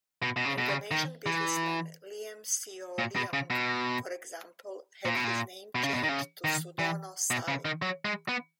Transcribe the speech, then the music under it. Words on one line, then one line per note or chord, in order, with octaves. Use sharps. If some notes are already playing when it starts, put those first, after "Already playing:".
Indonesian businessman, Liem Sioe Liong, for example, had his name changed to Sudono Salim.
B2
B2
C#3
B2
C#3
D#3
E3
A#2
B2
C#3
B2
A#2
B2
A#2
B2
C#3
B2
D#3
C#3
D#3
E3
B2
C#3
D#3
F#3
G#3
B3